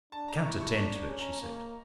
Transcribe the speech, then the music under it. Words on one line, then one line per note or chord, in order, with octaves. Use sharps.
"I can't attend to it," she said.
D4 A5
A#5
D6
E4 C#6
C#6
D4 C#6
C#4
A#5
A#3